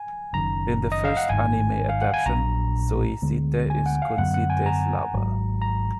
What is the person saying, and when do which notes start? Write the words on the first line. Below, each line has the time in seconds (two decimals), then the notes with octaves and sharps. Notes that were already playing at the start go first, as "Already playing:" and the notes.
In the first anime adaptation, Zoisite is Kunzite's lover.
Already playing: G#5
0.33 F#1 F#2 D#3 A#5
0.92 D#5
1.05 F5
1.17 F#5
1.29 G#1 G#2 D#3 G#5
1.89 F5
2.01 F#5
2.14 G#5
2.26 A#1 A#2 F#3 D4 A#5
3.22 D2 D3 G#3 B3
3.70 G#5
3.86 F#5
4.02 F5
4.18 F#2 D3 F#3 B3 F#5
4.34 F#5
4.50 G#5
4.66 A#5
5.13 G#1 G#2 F#3
5.62 A#5